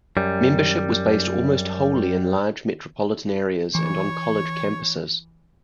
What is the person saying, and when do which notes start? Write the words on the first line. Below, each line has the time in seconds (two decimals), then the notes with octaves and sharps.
Membership was based almost wholly in large metropolitan areas and on college campuses.
0.17 F#2 G3
3.75 E3 C#5